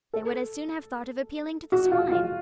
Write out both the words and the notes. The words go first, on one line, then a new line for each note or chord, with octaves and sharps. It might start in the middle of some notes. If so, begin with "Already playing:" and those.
They would as soon have thought of appealing to the swine.
A4
F#4
F4
F4